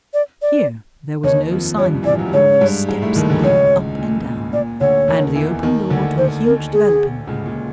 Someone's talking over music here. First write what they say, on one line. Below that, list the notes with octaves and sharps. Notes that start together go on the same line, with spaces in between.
Here there was no sign of him; only steps leading up and down and the open door to a huge developing room.
D5
D5
D#2 D#3 C#5
F2 F3
G2 G3 C#5
E3
D5
F3
F#3
G3
G#2 G#3 C#5
G2 G3
G#2 G#3
A2 A3
D#2 D#3
D2 D3
C#2 C#3 C#5
A#2
A#2 D5
D2 D3 C#5
D#2 D#3
E2 E3
D#2 D#3
D2 D3
C5
A#4
G#4
C#2 C#3
A#2